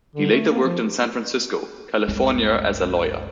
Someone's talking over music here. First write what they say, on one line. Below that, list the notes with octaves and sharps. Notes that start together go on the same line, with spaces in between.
He later worked in San Francisco, California as a lawyer.
D3
A3
A#3
F3
F#1 C2 G#3